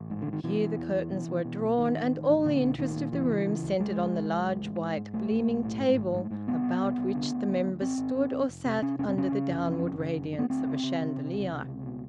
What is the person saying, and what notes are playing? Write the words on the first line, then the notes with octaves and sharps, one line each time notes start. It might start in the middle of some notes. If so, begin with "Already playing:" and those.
Here the curtains were drawn, and all the interest of the room centred on the large white gleaming table, about which the members stood or sat under the downward radiance of a chandelier.
Already playing: A1
G#2
D3
G#2
D#3
B2 E3
B2
E2
E2
B2
B2
B2
B1
A1 D#3
A1
A1
A1
A#2 D3
B1
A#2 D#3
A#2
C#2 E3
C#3
C#3
C#2
C#2 G#3
C#2
C#2
C#2
A1
A1
G#2
G#2
B1 A3
B1
B1
A2
G#2
G#1
G#2
G#2
C2 B3
B2
C2
C2
D3
D2
D2
D2
G#1 C4
G#1
G#1
G#1
F1
C3
C3 C#4
F1 C#4
C4
C#3 C#4
C#3
F1
F2
F#1
C#3
F#1
C#3
B3
D2 C4
C#3
C#3
C#3
C3
C#2
C3
C#2
B2